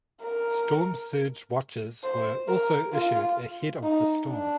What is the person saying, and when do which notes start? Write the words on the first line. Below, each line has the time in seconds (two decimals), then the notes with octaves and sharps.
Storm Surge Watches were also issued ahead of the storm.
0.23 A#4
2.03 C5
2.48 A#4
2.93 F4
3.83 D#4
4.28 D4